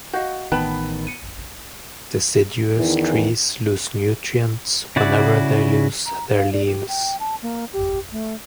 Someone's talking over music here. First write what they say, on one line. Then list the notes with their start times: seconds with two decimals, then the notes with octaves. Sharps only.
Deciduous trees lose nutrients whenever they lose their leaves.
0.13 F#4 D#5 F5 G6
0.52 A1 D#3 B3 B4 G5 A5 B5
1.07 C#7 D#7
2.77 E2 D#3 E3
4.96 C#3 E4 F#4 D5
6.06 A#5
6.36 F5
6.53 D5
6.65 G4
6.88 G5
7.20 A5
7.43 A#3
7.73 G4
8.11 A3